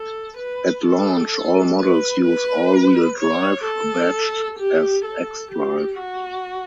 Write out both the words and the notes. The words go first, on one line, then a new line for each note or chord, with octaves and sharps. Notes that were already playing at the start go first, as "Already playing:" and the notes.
At launch, all models use all-wheel drive, badged as xDrive.
Already playing: A4
B4
A4
B4
B4
C#5
A4
G4
A4
G4
F#4